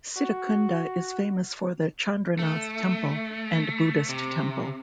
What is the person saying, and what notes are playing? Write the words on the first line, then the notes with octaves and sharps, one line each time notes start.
Sitakunda is famous for the Chandranath Temple and Buddhist temple.
F#4
A3
C3